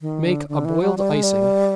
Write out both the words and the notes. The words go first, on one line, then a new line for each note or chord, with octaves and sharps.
Make a boiled icing.
D#3
D3
D3
E3
F#3
G3
G#3
G3